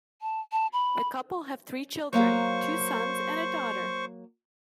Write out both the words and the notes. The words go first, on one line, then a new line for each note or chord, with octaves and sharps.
The couple have three children, two sons and a daughter.
A5
A5
B5
F#3 A#3 C5 F5 C#6